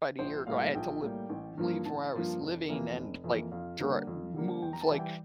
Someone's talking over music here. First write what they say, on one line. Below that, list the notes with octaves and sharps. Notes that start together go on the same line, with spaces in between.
about a year ago, I had to live leave where I was living and, like, tr m move like,
A#1 C5
A2 G3 A#3 F5
A#1 G5
A2 G3 A#3
A1
G2 F3 A#3
A1 A5
G2 F3 A#3
F1
F2 E3 A#3
F1
F2 E3 A#3
F2 F5
D3 G3 A#3
F2
D3 G3 A#3
E2 G5
A#5
A5
E3 G3
G5